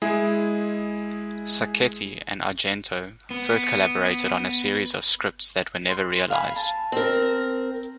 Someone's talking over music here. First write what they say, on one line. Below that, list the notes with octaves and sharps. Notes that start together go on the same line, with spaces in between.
Sacchetti and Argento first collaborated on a series of scripts that were never realized.
G#3 E4 G#4
B3
C6
F5 G#5 B5
A5
C4 A#4